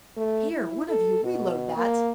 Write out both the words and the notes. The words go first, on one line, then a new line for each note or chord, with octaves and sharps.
Here, one of you, reload that.
A3
E4
A4
B2
A#3